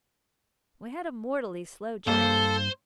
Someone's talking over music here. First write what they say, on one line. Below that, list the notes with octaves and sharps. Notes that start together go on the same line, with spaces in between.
We had a mortally slow journey.
G2 A#3 A4 C5 F5